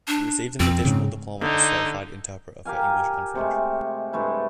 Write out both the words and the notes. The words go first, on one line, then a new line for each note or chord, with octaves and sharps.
She received an additional diploma as certified interpreter for English and French.
D4
F2 C4
G#2 C#3
D3 D#4
G4 A#4 F5 G#5
C3 G#3 A3
G2 G#3 A3 E4